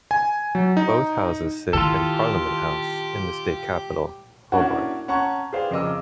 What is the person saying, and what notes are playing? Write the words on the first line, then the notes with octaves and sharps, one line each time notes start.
Both houses sit in Parliament House in the state capital, Hobart.
G#5
F#3
D#4
D#3 E4 F4 G4 A4
A#3 C#4 D4 E4 F#4
C#4 F#5 A5 A#5 C#6
G4 G#4 B4 C5 D5 F5
F2 C#3 A#4 D#5 D6 E6